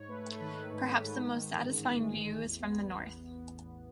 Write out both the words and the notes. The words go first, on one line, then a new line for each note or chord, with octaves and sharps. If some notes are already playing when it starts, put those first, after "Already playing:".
Perhaps the most satisfying view is from the north.
Already playing: G#2 C#5
A3 B4
A3 A4
D#3 B4
D#3
G#2
G#2
G#2
D#3
D#3
A1
G#2
A1
G#3
A1
A1
E2
B3